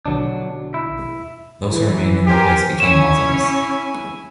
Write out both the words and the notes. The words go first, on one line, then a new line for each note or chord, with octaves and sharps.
Those who remained in the place became Muslims.
A#1 B2 D3 F#3 D4
E4
E3
G4 A#4 C5 G#5
C#4 E4 C#5 G#5 E7